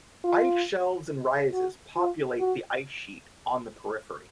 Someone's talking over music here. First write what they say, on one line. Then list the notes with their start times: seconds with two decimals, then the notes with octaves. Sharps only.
Ice shelves and rises populate the ice sheet on the periphery.
0.24 F4
1.53 F#4
1.97 F4
2.40 F#4